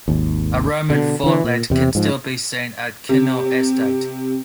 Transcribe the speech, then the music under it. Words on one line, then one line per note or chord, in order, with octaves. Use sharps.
A Roman fortlet can still be seen at Kinneil Estate.
G#1 D#2
B2 D3
D3 E3
A#2
E2 C3
G#2 F3
C3